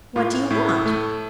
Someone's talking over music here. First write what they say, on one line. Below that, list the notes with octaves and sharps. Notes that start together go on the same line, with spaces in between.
"What do you want?"
A2 F4
A2 E4
A3